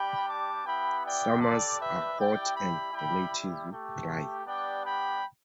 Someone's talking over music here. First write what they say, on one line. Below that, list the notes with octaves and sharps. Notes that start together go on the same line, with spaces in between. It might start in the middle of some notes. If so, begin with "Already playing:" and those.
Summers are hot and relatively dry.
Already playing: G3 D4 G4 G5 B5
A5 D6
B3 E4 G4 G5 B5
D5 G5
G3 D4 G4 A4 D5
B4 E5
G3 E4 G4 D5 G5
G5 B5
G3 E4 G4 G5 B5
A3 G4
G3 B3 D4 G4 D5 G5
G5 B5